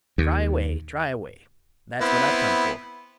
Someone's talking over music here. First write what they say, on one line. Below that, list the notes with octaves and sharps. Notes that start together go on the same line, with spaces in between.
"Try away, try away; that's what I've come for."
D#2
B3 C4 E4